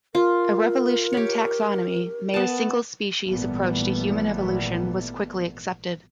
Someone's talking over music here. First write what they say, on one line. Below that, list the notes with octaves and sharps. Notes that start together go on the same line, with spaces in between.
A "revolution in taxonomy", Mayr's single-species approach to human evolution was quickly accepted.
F4 A#4
G4 C#5
B3 A5
G#1 A#2 E3 G3 A3 B3